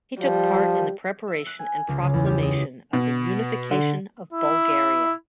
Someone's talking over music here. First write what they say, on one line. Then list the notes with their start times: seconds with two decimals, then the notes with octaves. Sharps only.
He took part in the preparation and proclamation of the Unification of Bulgaria.
0.20 F3 G3
1.28 E5
1.46 F#6
1.59 G#5
1.88 C#2
2.02 C#3
2.14 E2
2.26 G4
2.43 D#5
2.93 B2
3.71 D3
4.33 E4